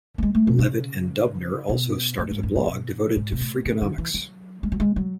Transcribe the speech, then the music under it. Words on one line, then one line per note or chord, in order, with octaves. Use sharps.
Levitt and Dubner also started a blog devoted to Freakonomics.
A3
G#3
A3
B2
C#3
B2
A2
G#2
F#2
A2
B2
G#2
B2
A2
C#3
D3
E3
F#3
G#3
F#3
G#3
F#3